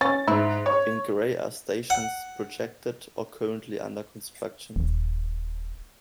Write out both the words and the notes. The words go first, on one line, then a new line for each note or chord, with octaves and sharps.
In grey are stations projected or currently under construction.
C#4 A6
G#2 E4
C#5
F#5
D#1